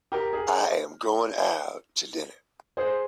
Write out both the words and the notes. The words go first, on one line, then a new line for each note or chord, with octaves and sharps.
I am going out to dinner.
G4 A#4
G#4
G#4 C5